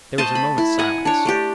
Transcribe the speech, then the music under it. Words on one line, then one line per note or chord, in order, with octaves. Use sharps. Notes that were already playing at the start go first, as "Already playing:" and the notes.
There was a moment's silence.
A3 C5 D#5 A5
B5
E4
F#5 G#5 A#5
D4 C#5
A3 D4 G4